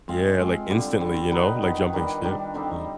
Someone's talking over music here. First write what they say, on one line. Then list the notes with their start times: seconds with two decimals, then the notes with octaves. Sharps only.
Yeah, like, instantly, you know, like jumping ship, uh-huh,
0.08 G#3 C4 F4
0.40 G#3 C4 F4
0.70 D3 G3 C4
1.00 D3 G3 C4
1.31 D#3 B3 D#4 B4
1.62 D#3 B3 D#4 B4
1.93 D#3 G3 D4
2.24 D#3 G3 D4
2.54 D3 G3 C4 D#4